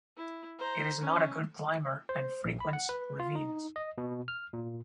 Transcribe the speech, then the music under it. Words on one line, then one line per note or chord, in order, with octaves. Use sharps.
It is not a good climber and frequents ravines.
E4
C5 A#5
C#4
C5
A#1
B5
F#5
B4
F4
D#4
D#5
B2
F6
A#2